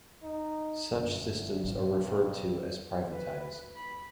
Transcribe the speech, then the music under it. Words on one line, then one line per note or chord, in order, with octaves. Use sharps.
Such systems are referred to as 'privatized.
D#4
F#1 D2 G2
G#1 G2 B2
B4
B5